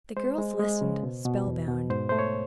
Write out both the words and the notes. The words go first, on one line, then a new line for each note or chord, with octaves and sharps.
The girls listened, spellbound.
G#3 C5
G#3
G#3
C#3
B2
B2
E2
B2
G#2 C5
A3 C5
C#5